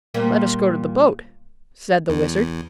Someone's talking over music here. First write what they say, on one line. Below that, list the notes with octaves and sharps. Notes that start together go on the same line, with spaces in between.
"Let us go to the boat," said the Wizard.
A#2 G3 A#3
E2